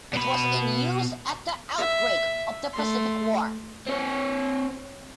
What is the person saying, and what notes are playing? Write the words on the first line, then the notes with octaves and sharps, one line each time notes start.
It was in use at the outbreak of the Pacific War.
B2 B5
E5
A3 C6
C4 C#5